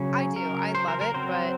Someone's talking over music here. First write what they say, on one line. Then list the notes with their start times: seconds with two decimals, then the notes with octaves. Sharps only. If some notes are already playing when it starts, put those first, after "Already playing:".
I do, I love it, but
Already playing: C#3 F#3 C#4
0.36 A#4
0.75 C5
0.88 A#4
1.01 A#4
1.14 F#3 C4 C5